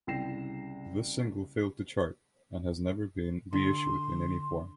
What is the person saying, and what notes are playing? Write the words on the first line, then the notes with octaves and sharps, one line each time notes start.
This single failed to chart and has never been reissued in any form.
C2 C#3 G5 A#6 C7 E7
D3 C6